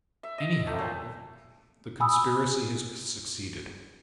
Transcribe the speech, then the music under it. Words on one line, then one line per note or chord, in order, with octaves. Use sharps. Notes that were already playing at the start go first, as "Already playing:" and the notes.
Anyhow, the conspiracy has succeeded.
E5
D#5
E5
A3
A#2
G#5 B5 D#6 E6